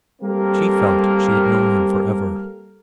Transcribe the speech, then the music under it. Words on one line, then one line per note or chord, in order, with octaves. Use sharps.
She felt she had known him for ever.
G3 A#3 C4 A4 A#4